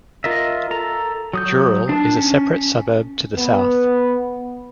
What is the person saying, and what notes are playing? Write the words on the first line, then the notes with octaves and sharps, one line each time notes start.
Dural is a separate suburb to the south.
F4 A#4 D#5 E5
A4 A#5
F#3 D#6 G6
D4 A5
C#4
B3